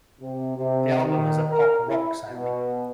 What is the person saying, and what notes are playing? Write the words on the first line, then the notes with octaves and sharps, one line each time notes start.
The album has a pop rock sound.
C3
C3
D#3
A#4
E4
B2